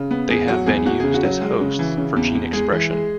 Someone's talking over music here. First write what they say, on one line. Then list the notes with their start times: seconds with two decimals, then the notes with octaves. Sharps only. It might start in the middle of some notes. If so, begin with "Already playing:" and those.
They have been used as hosts for gene expression.
Already playing: C#3
0.11 B3
0.30 E2 G#4
0.48 F#3 F#4
0.66 E2 G#4
0.85 E2 F#4
1.00 C#3 G#4
1.14 F#4
1.23 F#3
1.42 G#3
1.61 C#3
1.79 E3
1.97 C#3
2.16 E2
2.35 E2
2.53 G#3 G#4
2.72 E3
2.91 G#3